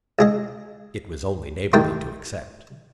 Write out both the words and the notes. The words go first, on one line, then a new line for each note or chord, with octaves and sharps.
It was only neighbourly to accept.
C#2 G#4 D#5
E2 G2 D#3 A3 A#4 G5